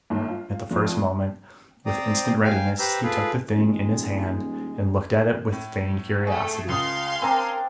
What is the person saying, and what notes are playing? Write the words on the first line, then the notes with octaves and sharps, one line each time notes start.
At the first moment, with instant readiness, he took the thing in his hand, and looked at it with feigned curiosity.
G1 D#2 G#2
F4
F1 F2
C4 C5 D5 G5 A#5 D#6
F5 G5 G#5
G4 B4 C5 A#5 E6
F4 G#4 A4 B4
D#1 G#3
A2
A3 G#4
C#2 F4 F5 C6 D#6
C4 D4 A#4 G#5